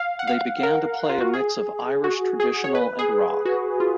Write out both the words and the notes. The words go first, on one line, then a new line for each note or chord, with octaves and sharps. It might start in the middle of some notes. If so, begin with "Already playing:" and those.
They began to play a mix of Irish traditional and rock.
Already playing: F5
F#5
F5
A#4
F4
F#4
G#4
F#4
G#4
C#5
B4
G#4
F#4
F4